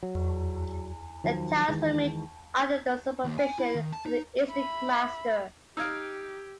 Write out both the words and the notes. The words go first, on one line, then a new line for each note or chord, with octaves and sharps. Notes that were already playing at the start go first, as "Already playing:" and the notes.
The tiles were made under the supervision of the Iznik master.
F#3
D#3 F3 F#3
D#3 E3 G#3
D#2
G#5
E4
D#3
A5
D#4
E5 B5
D#4 G4 F5 E6 G#6 D7